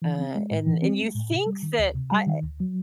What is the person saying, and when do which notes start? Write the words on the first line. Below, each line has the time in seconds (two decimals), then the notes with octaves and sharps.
uh and and you think that I
0.02 E3
0.18 C4
0.35 G#3
0.51 A2
0.67 E3
0.82 C4
0.99 G#3
1.15 A2
1.30 C3
1.46 G3
1.63 D#3
1.79 D2
1.95 C3
2.12 G3
2.27 D#3
2.43 D2
2.60 F#3